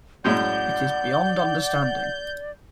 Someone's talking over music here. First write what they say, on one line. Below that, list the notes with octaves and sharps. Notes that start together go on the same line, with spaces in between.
It is beyond understanding.
F#2 A2 G#3 D5 F#5 G6